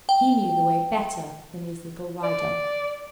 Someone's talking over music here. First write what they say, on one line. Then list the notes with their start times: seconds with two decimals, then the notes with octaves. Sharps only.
He knew the way better than his little rider.
0.09 G5
2.23 D5